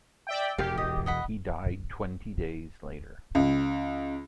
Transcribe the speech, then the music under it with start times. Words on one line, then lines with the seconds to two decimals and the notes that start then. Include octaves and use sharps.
He died twenty days later.
0.27 D5 E5 G5
0.58 E1 E2 G4 F5 G5
0.78 D#5
1.06 D#5 F#5 B5
3.35 C#2